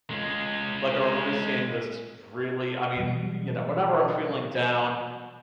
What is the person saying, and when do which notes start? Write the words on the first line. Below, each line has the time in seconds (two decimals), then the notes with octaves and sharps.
Like, I remember seeing this really I mean, y you know, whenever I'm feeling down,
0.10 G#3 F4
2.97 B2 E3 F#3 G3